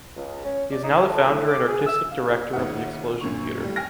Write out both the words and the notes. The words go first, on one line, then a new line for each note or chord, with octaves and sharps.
He is now the founder and artistic director of the explosion theatre.
C#2
C#4
D5
D#4
A4
A2
D6
G#4
E6
F5
D#2
A1 D#2 D#3 G#3 E5 F#5
F#2 A#2 D3 C#6
D#2 A2 G3
G5 G#5 F6 A#6